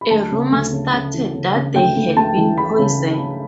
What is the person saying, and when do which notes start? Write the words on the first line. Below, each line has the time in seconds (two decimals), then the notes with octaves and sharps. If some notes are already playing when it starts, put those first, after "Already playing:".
A rumour started that they had been poisoned.
0.01 B5
0.11 D2 A5
0.32 C#3
0.52 D2
0.73 C#3
0.93 C#3
1.14 E3
1.35 C#3
1.55 C#3
1.75 D2 G5
1.97 D2
2.17 D2 A5
2.37 E3
2.58 E3 B5
2.79 C#3